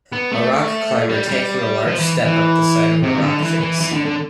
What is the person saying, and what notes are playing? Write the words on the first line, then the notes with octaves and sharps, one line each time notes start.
A rock climber taking a large step up the side of a rock face.
B3
A3
G3
G3
F3
E3
E3
C3
E3
D3
E3
E3
E3
D3
D3